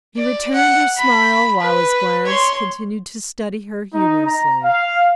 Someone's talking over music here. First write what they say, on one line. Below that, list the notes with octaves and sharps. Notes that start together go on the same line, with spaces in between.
He returned her smile while his glance continued to study her humorously.
D5
F#5
B5
B4
C#5 C6
D#4
A#5
F5